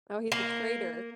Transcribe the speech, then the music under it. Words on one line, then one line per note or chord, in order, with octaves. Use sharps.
Oh, he's a traitor.
A#3